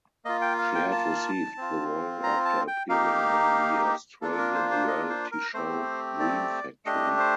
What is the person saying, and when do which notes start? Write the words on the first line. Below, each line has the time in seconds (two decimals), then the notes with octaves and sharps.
She had received the role after appearing on the Australian reality show "Dream Factory".
0.25 A#3 F4 D#5
0.42 G5
0.58 F5
0.75 G5
0.91 A5
1.57 C4 F4
2.23 A#5
2.45 A5
2.68 G5
2.89 A#3 D#4 G4 F5
4.21 A#3 D4 F4 A4
4.32 A4
4.38 A#4
4.55 C5
4.71 C5
4.88 D#5
5.10 C5
5.32 A#4
5.54 A3 C4 G4 C5
6.20 D5
6.85 A3 D4 G4 D#5
7.19 C5